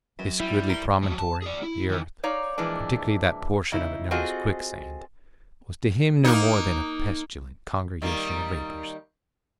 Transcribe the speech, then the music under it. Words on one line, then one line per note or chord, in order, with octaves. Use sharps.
This goodly promontory, the earth--particularly that portion of it known as Quicksand--was to him no more than a pestilent congregation of vapours.
F#2
G3 E4
A#4 C6
F3 F#3
A5
G#4 D5
E4
D#3 E3
D#4 C#5 D5 F5 A#5
A#2 E3 F3 G#3 D4
C#3 D#4 E4
C4 F4 F#4 G#4 A4 D#5
A#3 D#4
D#3 G3 A#3